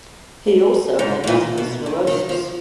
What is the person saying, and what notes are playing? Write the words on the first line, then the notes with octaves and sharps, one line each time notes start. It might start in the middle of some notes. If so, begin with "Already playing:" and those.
He also had multiple sclerosis.
G#2
G#2
A#2
B2
D#3
D#3
F3